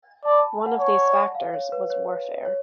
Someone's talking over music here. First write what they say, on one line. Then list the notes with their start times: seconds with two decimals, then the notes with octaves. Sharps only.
One of these factors was warfare.
0.25 D5 A5
0.32 B5
0.39 A5
0.53 G#5
0.66 F#5
0.80 C#5
1.08 D5
1.35 F5
1.54 C#5
1.72 B4
1.90 C#5
2.45 C#5